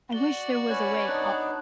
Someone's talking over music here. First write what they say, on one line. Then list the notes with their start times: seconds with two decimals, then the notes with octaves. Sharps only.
I wish there was a way al
0.12 F#4 D5 G7
0.70 C#4 B4 C#5
1.08 B3 D4 D#4 F#6